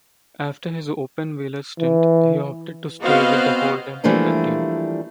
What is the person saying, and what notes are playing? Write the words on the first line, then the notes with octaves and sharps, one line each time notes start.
After his open-wheeler stint he opted to stay with the Holden Dealer Team.
E3
B3 C4 F#4 C5 D#5 F5
E3 F3 G3 A3 A#3 D4